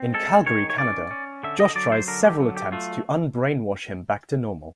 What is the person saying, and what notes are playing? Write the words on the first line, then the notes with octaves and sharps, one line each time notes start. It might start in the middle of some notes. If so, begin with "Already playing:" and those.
In Calgary, Canada, Josh tries several attempts to unbrainwash him back to normal.
Already playing: C4
G#3 A4
D#3 C#5
C#5
C#4 D5
C#4
D3 E5
D#5
F#3 D5
C5
D3 A#4
G4
F#3
G4
A3 F4